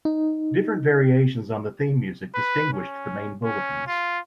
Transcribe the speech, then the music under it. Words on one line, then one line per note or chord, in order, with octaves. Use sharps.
Different variations on the theme music distinguished the main bulletins.
D#4
B4
C#4
C#4
F4